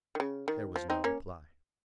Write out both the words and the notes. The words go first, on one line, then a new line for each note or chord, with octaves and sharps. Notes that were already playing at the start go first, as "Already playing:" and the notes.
There was no reply.
D#3
C#3
D#3
F3
C4 D#4
A#3 C#4